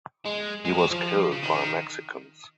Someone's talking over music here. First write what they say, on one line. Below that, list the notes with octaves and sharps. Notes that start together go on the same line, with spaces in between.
He was killed by Mexicans.
G#3
G#3
F3
F#3
F3
C#3
D#3